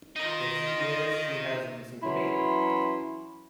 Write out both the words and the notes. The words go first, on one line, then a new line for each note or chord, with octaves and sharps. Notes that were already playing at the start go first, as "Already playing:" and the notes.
If she is, she has reason to be.
D#4 F4 A#4 D#5
E3 F#3 C#4 E4 B5 C6